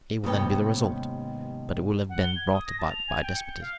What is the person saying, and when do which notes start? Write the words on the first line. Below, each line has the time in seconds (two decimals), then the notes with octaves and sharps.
Anarchy will then be the result, but it will have been brought about by despotism.
0.24 D#2 G#2 C3 B3 C#4 G5
2.09 F#5
2.22 G7
2.35 G#6
2.52 D#6
2.66 A#6
2.78 A5
2.90 F7
3.07 G#5
3.22 G5
3.35 C#7
3.47 G6
3.60 F5